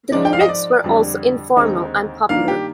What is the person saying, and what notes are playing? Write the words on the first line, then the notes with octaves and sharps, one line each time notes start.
The lyrics were also informal and popular.
G#2 F3 G#3 D#4 D5
G5
F5
D#5
D5
F2 D3 G3 D4
D#2 D3 G#3 C4 D#4
G2 D#3 A#3 D4 F5
G4